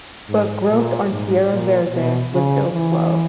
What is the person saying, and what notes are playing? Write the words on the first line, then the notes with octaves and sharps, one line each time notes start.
But growth on Tierra Verde was still slow.
G#2
A#2
G#2
A#2
B2
C#3
E3